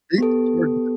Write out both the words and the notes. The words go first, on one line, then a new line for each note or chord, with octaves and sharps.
Beat the coordinates.
B3 G4 A4